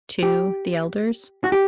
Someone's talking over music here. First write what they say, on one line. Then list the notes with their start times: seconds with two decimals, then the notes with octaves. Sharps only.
to the elders.
0.23 G4
1.44 F#4
1.52 G4